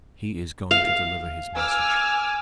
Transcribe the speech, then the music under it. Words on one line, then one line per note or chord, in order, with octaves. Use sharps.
He is going to deliver his message.
F5
G#5 D6 E6 F6